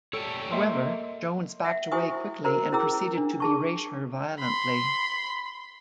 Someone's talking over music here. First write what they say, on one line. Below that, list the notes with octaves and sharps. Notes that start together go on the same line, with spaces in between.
However, Jones backed away quickly and proceeded to berate her violently.
G3 A4 C#5 E6 D7
A#3 D#5 E5 C6
E5 F#5
E4 F#4 C5 G#5 C#6 D#6
F#4 A#4 C5 A#5
C#4 E4 G#4 A#5 E6
D4
G#4 A5 C#6
B5 C6